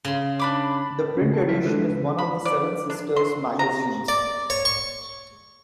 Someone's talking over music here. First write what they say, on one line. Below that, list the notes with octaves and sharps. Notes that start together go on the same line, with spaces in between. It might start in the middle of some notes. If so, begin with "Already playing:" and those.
The print edition is one of the Seven Sisters magazines.
C#3 C6
D4 B5 D6
C#3 C#4
A5
C#2 F#3 A#4 E5 A5
D#3 G#3 D4 A4 B4
C#2
B5
D5
D4
C6
A#5
D5
C#5
C#6